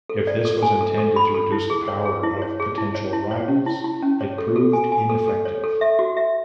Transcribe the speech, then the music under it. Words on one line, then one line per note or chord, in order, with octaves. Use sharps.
If this was intended to reduce the power of potential rivals, it proved ineffective.
A4
D5
A4
G#5
A4
A4
B5
A4
E4
G#4
C#5
G#4
E4
C#5
G#4
E4
C#5
E4
C#5
C#4
E4
E4
C#4
C#5
A4
A4
G#5
G#5
A4
A4
C#5
A4
E5
F#4
E5